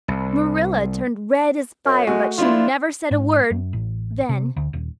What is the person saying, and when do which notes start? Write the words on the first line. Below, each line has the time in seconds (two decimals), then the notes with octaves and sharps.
Marilla turned red as fire but she never said a word--then.
0.08 C2
1.85 F#2
2.07 G#3 A3 F#4
2.38 F3 D4 E4 F4
3.11 G#2
3.51 F#2
3.73 A1
4.29 C3
4.56 D2
4.73 D#1